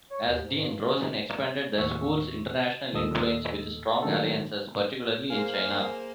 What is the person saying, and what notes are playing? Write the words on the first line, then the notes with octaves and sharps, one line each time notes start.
As dean, Rosen expanded the School's international influence with strong alliances, particularly in China.
C#5
D#2
G#2
G2
C#4
D#2 A2 E5 C#6
D#2 A#2 A4 D#5 E6
A#2 D#3 F#3 A3 D4 A4
A#3 G#4 A#4 C5 F5 G#5